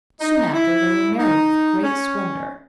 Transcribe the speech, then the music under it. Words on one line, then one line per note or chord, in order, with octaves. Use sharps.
Soon after, they were married with great splendour.
D#4
E4
D#4
C#4